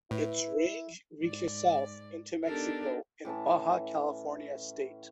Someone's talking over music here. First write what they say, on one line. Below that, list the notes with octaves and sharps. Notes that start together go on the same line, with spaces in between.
Its range reaches south into Mexico in Baja California state.
A2 E4 B4
G#2 D5
B3 D4 D#4 G4 A4 A#4
A2 E3 C#4 A5